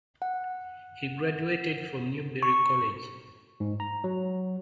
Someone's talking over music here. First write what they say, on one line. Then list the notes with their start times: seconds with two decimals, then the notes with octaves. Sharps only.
He graduated from Newberry College.
0.22 F#5
2.43 C#6
3.60 G#2
3.80 A#5
4.04 F#3